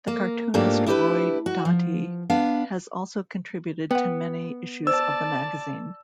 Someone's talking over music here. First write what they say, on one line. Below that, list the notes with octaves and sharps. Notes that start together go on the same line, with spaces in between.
The cartoonist Roy Doty has also contributed to many issues of the magazine.
A#3
G#2 A3 A#3 D4 F4 G4
D4 E4 G4 A4 B4
F#4
F3
B3 D4 F5
B3 F#5 G5
C5 D5 A5 E6